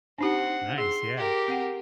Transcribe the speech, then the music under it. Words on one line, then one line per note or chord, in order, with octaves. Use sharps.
Nice, yeah.
C4 D4 D#4 G4 F#5
G#4 C6
G4 A#4
C4 F#5 G5